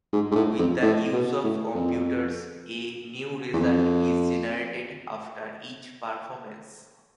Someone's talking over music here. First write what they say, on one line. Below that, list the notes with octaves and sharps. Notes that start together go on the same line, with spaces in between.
With the use of computers, a new result is generated after each performance.
G#2
G#2
A2
F2
A2
B2
A2
F2
E2
F2